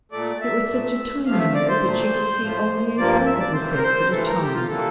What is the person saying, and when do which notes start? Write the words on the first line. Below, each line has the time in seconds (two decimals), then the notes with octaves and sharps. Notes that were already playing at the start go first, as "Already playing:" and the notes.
It was such a tiny mirror that she could see only a part of her face at a time.
0.12 A#2 A3 D5
0.41 E5
0.69 A#2 A3
1.26 C3 F3 A3 F5
1.40 E5
1.54 D5
1.69 C5
1.84 A#2 A3
2.40 A2 F3 A3
2.97 G2 F3 A#3 D5
3.26 E5
3.40 D5
3.54 F2 C3 E3 G3 C5
3.76 A#4
3.83 C5
4.12 G2 E3 A3 A4
4.26 A#4
4.40 G4
4.54 F4
4.69 E3 G3 A#3 A4